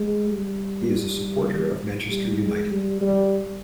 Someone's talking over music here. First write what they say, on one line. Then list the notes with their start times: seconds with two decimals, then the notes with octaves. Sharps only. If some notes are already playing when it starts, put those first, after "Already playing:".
He is a supporter of Manchester United.
Already playing: G#3
0.30 G3
2.10 G3
2.40 G#3
2.71 G3
3.01 G3